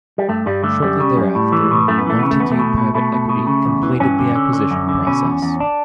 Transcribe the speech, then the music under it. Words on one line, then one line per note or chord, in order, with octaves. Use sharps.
Shortly thereafter, Montague Private Equity completed the acquisition process.
G3
G2 A3
G2 G3
D3 A3
F#2 G3
C#3
F#2
A2
E3
A2
F#2 A3
B3
E3 A3
C#3 B3
A3
E2 B3
A3
B2
B2
B2 A3
B2
B2
C#3
E2
E3
G2 C#4
D3
D3
D3
F#2
D3
B2 C#4
E2
E2
D4